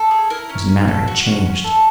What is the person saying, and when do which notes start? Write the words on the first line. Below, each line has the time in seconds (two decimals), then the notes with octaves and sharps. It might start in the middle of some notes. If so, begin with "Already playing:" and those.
His manner had changed.
Already playing: A4
0.11 G#4
0.30 E4 A#4
0.49 C#4
0.68 C#4
0.88 A4
1.08 F#4
1.26 C#4
1.45 C#4
1.64 A4